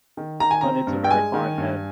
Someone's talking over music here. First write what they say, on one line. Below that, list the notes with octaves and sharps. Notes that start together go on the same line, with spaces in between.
But it's a very fine head.
D#3
D#3 A#5
G#5
C4 A#5
G2
G5
G#3 G#5
D#3
G2